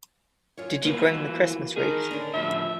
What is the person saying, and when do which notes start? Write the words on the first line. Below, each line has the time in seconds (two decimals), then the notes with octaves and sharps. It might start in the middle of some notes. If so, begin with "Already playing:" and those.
Did you bring the Christmas wreath?
0.57 F#2 F4 C#5
0.84 E3 A#3 B3 F4 F#4
1.76 D#3 G#4 A#4
2.11 D3 C#4 D4
2.34 A2 F3 E5